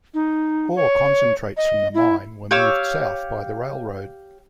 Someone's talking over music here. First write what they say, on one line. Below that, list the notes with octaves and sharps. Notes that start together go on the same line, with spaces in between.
Ore concentrates from the mine were moved south by the railroad.
D#4
C#5
D#5
E4
G4 C#5 F5 E6